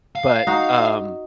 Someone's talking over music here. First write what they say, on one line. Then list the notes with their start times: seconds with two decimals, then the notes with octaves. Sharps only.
but, um,
0.16 F5
0.47 D#4 F#4